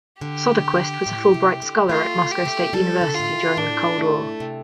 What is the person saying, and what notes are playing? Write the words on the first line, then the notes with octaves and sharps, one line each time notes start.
Soderquist was a Fulbright Scholar at Moscow State University during the Cold War.
D3 G4
A2
C3
D3
A3 F4
G4
A3
G3 A4
D3
A2 F4
C3
A2 D4
A3
C3